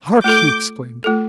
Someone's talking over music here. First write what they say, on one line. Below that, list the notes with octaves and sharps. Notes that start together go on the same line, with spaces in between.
"Hark!" he exclaimed.
A3 F4 A4 D6 G6
A3 F4 A4